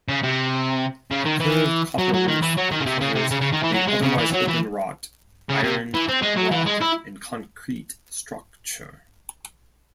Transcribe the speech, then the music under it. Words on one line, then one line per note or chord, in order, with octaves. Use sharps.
The curved copper roof covers the otherwise-open wrought iron, rock, and concrete structure.
C#3
C3
C#3
D#3
E3
F#3
F#3
D#3
E3
F#3
D#3
C#3
C3
C#3
C3
C#3
C#3
D#3
E3
F#3
G#3
C#3
E3
F#3
E3
C#3
C3
E3
C4
G#3
F#3
E3
G#3
E4